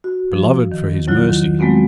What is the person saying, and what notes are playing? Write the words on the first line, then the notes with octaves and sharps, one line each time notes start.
Beloved for his mercy!
F#4
F3
D#3
E2 C#3 F#3 E4 F4 F#6
D#3
F#3 G#3 A3 B3 C4 F#4